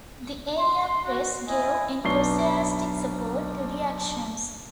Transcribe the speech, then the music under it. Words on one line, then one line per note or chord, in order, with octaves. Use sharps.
The area press gave enthusiastic support to the actions.
C6
F#4
E4 D#5 G#5
B1 B3 D4 C#6 C7 G7